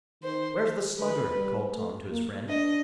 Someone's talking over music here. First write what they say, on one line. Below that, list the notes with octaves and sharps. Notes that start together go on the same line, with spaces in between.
"Where's the Slugger?" called Tom to his friend.
D#3 C5
D3 B4
G3
A3
A#3
D4 D#5